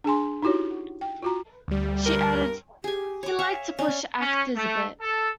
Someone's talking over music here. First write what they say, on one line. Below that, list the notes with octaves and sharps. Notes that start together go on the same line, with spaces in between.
She added: "He liked to push actors a bit".
D4 G#4 G#5 C6
D#4 E4 F#4 G4 C#5
G5
F4 F#4 A#5
D2 G3
G2 A#4
G4 G#4 G#5
C#5 D6
E5 F5 G#5 C#6
C#4 D5
C#4
A3
A4